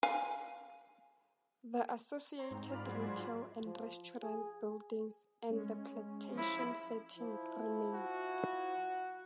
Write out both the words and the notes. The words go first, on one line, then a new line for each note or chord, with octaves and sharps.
The associated retail and restaurant buildings and the plantation setting remain.
F5 G#5
C#5 A#5 C6
G#2 C4 A#5
F4 D5 B5 F6
F#3 G#4 C5
F3
G#4
G#3 C#4
F3 E4
F3 E4
F#4